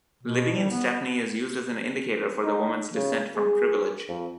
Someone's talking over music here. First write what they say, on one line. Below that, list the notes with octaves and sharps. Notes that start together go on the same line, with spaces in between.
Living in Stepney is used as an indicator for the woman's descent from privilege.
B2
G3
B3
D#4
C#3
G#4
F2